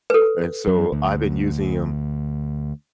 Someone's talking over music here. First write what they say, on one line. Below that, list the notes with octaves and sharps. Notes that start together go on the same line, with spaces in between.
And so, I’ve been using ’em
A4 B4
F#2
D2